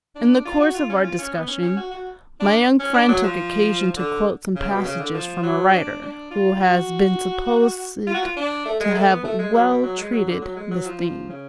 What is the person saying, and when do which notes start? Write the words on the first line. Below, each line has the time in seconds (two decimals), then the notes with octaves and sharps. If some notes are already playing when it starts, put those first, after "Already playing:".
In the course of our discussion, my young friend took occasion to quote some passages from a writer who has been supposed to have well treated this theme.
0.15 D4
0.45 F4
0.60 F#4
0.75 F4
0.89 C#4
1.03 F4
1.18 C#4
1.33 B3
1.48 C#4
1.62 C#4
1.77 F#4
1.91 F#4
2.40 D4
2.79 C#4
2.94 D4
3.08 F#3
3.24 F3
3.97 D3
4.55 C#3
4.70 B2
4.84 C#3
4.99 D3
5.14 F3
5.43 F#3
5.73 D4
6.02 D4
6.31 F4
6.60 F#4
8.07 F4
8.14 F#4
8.22 F4
8.37 D4
8.66 A3
8.80 G#3
8.94 A3
9.10 B3
9.24 A3
9.39 G#3
9.53 F#3
9.68 B2
9.83 F#3
9.98 G#3
10.12 F#3
10.27 D3
10.41 F#3
10.56 G#3
10.71 F#3
10.85 F3
11.00 F3
11.29 C#3